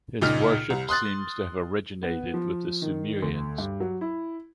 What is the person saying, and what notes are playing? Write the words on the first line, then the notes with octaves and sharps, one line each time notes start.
His worship seems to have originated with the Sumerians.
C#2 A#2 D#4 F6
C2
C6 D#6 F#6 A6
B3
F3
D#3
D2
G2
F#3
E4